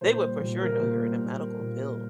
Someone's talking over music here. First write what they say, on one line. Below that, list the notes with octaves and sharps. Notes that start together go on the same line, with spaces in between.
They would, for sure, know you're in a medical field.
A#2 C5
G3
A#2
A#3 A#4
A#2
G3
A#2
A#3
A#2
G3